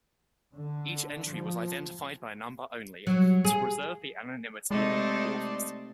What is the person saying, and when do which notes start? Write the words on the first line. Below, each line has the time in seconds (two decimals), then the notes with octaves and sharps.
Each entry was identified by number only, to preserve the anonymity of their authors.
0.53 D3
1.30 F3
3.07 F#3
3.45 G#4
4.71 C3 G#3 A3 D#4 D5 A5 C6